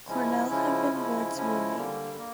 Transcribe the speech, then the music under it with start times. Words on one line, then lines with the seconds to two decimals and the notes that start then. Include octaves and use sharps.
Cornell had been Wood's roommate.
0.07 C#3 F3 G#3 C#4 E4
0.49 C#3 F3 G#3 C#4 E4
0.92 C#3 F3 G#3 C#4 E4
1.34 C#3 F3 G#3 C#4 E4
1.76 D3 G3 A#3
2.18 A#3